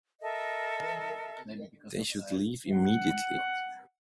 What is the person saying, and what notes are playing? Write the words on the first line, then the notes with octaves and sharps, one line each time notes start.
They should leave immediately.
A4 A#4 D#5 E5
F#5